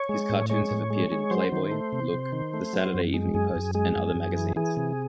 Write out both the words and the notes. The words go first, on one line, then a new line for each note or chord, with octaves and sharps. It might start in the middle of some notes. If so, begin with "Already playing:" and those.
His cartoons have appeared in "Playboy", "Look", "The Saturday Evening Post" and other magazines.
Already playing: C#5
G#3
A2
G#3 C#5
A2
G#3
G#3
F#3 C5
D#3
A3
C3
C3
D#3
A3
F#3
F#2
G#3
F#2 G#4
F#2
G#3 G#4
F#2
F#2
E3
E3 G#4
C3